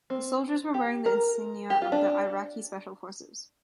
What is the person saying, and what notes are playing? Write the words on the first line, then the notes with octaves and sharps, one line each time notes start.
The soldiers were wearing the insignia of the Iraqi Special Forces.
C4
G4
A#4
G4
F4
D4